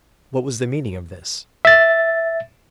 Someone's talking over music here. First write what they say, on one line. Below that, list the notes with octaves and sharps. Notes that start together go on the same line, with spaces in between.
What was the meaning of this?
E5 A6